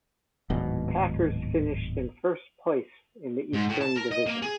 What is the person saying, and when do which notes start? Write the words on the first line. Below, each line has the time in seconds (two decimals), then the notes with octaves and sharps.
The Packers finished in first place in the Eastern Division.
0.50 D1 G#1 B2
3.53 G#2
3.69 A2
3.81 A5
3.96 A#4
4.11 D#5
4.26 A#3
4.42 G#4